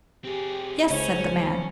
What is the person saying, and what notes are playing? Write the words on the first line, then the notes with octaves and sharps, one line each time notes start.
"Yes," said the man.
C4 G4 G#4
C#2 C#3 C#4 C5 C#5